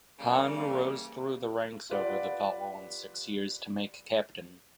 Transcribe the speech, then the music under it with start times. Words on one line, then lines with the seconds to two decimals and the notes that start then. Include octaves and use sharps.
Haan rose through the ranks over the following six years to make Captain.
0.19 C#3 E3 G3 A#3
1.90 F4 G4 B4 D5 F5 F#5